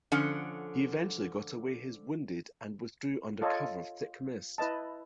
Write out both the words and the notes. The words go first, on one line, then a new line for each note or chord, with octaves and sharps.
He eventually got away his wounded and withdrew under cover of thick mist.
D3 F3 C#4 F#5
F4 A4 C#5 D#5
E4 B4 D#5 A5